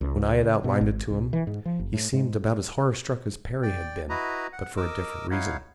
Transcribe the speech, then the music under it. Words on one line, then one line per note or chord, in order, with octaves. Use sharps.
When I had outlined it to him, he seemed about as horror-struck as Perry had been; but for a different reason.
C#2
C#3
B2
G#1
C2
E3
G#2
F3
F#1
A2
G#2
D5 G5
E4 F#4 B4 D#5 A#5
F#5
A#4 D#5 D6 E6
D#4 E4 C#5 F5 F#5